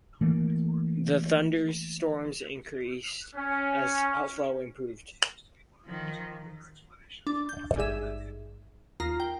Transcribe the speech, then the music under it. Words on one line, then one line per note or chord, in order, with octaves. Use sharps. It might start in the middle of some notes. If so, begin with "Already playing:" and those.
The thunderstorms increased as outflow improved.
E3 A3 A#3
C#4
D#3 F3
D4
G6
G#1 G2 G#4 E5
D#2 F4 A#5 A#6
G5